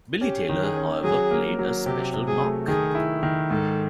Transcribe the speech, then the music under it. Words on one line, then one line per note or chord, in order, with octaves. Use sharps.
Billy Taylor, however, played a special knock.
C#4 G4
D#3
G#4
C#4
F#3 G#4
A#3
F#3
C3 G4
C3
G#4
A3
D#3 G#4
E4
D#3
G#2 A4